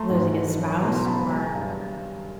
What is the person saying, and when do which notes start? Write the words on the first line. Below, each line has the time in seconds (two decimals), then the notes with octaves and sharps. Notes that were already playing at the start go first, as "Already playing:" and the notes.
losing a spouse or, um,
Already playing: A3 A#5 C6
0.10 G#2
0.34 E3
0.58 F#2
0.82 B2 A#5 C6
1.06 F#1 A5 B5
1.30 G#3 G#5 A#5
1.54 G2